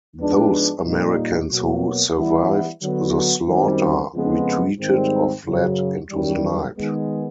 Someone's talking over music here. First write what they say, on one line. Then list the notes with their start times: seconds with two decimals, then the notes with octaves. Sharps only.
Those Americans who survived the slaughter retreated or fled into the night.
0.20 G#2 F3 G#3 B3 D4
0.85 A#2 G3 A#3 D#4
1.50 B2 F#3 A#3
2.17 E3 G3 B3 E4
2.82 D3 F#3 B3
3.48 F#2 D#3 G3 C4
4.13 F2 C#3 F3 G#3 B3
4.80 G#2 D#3 G3 C4
5.45 F#2 C#3 F#3
6.10 F#2 D#3 G3
6.76 D#3 G#3 B3